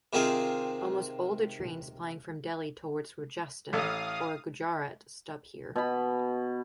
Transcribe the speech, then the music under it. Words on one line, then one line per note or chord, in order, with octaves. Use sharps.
Almost all the trains plying from Delhi towards Rajasthan or Gujarat stop here.
C3 D#3 C4 F4 G#4
A1 A4 F5 D#6
B2 B5